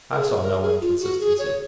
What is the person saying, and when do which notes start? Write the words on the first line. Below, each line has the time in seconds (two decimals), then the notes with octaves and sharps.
I saw no inconsistency.
0.11 A#4
0.18 G#4
0.43 A#4
0.62 G#4
0.81 F4
1.00 F#4
1.20 G#4
1.39 C#5